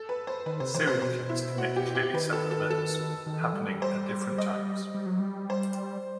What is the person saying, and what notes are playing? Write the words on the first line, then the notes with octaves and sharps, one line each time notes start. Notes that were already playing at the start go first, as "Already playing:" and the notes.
Serial killers commit clearly separate murders, happening at different times.
Already playing: A4
B4
C5
D#3 B4
C3 C5
E3 C5
C3 C5
B2 C5
E4
F#4
G4
G4
D#3 B4
A4
A4
A4
D#3
E3
G3
G3
C5
D#5
G3
F#3
G3
C5